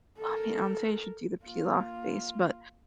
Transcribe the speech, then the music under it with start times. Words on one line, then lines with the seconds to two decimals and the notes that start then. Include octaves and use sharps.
I mean, I'm say you should do the peel off base, but
0.18 A4 A#4
1.45 A#3 F4